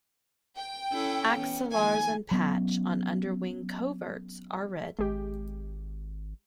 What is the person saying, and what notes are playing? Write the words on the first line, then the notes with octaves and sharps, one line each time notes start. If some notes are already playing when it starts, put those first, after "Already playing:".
Axillars and patch on underwing coverts are red.
G5
C#4 E4 A4
E3 B3 C#4
D#3 F3 A#3 G#5
F#3 B3 C#4
G#1 G#3 G4